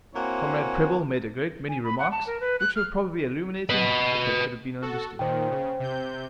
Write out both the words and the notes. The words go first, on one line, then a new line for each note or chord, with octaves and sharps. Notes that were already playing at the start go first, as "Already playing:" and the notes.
Comrade Prebble made a great many remarks, which were probably illuminating, if they could have been understood.
A#3 C4 E4 F#4 C#5 G#5
G#5
B5
F#5
A5
A#4
B4
F#6
F6
B4 D#5
F#4 A4
A#2 D#3 C5 G5
C#3
C3 G6